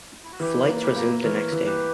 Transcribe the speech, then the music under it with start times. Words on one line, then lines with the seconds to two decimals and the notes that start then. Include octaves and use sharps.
Flights resumed the next day.
0.24 E4
0.32 F#4
0.40 E3 E4 G4
0.69 A#3
0.82 E4 G4
0.96 A#3
1.24 E3 A#4 C#5
1.52 E3
1.66 G4 B4